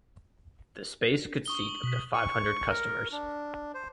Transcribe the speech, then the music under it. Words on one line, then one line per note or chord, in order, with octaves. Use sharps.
The space could seat up to five hundred customers.
C#6 D#6 G7
F#7
B2
C#6
A#4
D4
C5